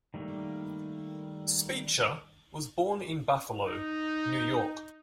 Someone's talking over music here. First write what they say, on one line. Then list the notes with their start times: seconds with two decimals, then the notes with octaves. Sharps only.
Speicher was born in Buffalo, New York.
0.14 D#3 G3 A3 A#3
3.68 D#4